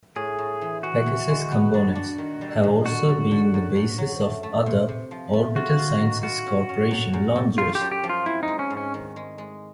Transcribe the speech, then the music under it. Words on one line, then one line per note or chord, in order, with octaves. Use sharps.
Pegasus components have also been the basis of other Orbital Sciences Corporation launchers.
A2 G#4
A2
E3
E3 F#4
E3
G#3
B3
D4
D4
D#3
G3
D#3
D3 F#4
F#2
D3
F#2
F#2
F#3
A3
A3
C3
C3
F3
A3
F4 F#4
F4
D#3
F4 F#4
C#4
C#4
F#2
F#2
F#2
F#2 F4
G4
F#2
G4
F3
F4
C4 E4
D#4
G#3
C#4
G#2
C#4
D#3
G#3
G#3